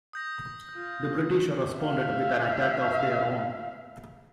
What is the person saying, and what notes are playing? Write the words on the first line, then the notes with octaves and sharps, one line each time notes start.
The British responded with an attack of their own.
D#6 G6 A#6
F4
E5 F5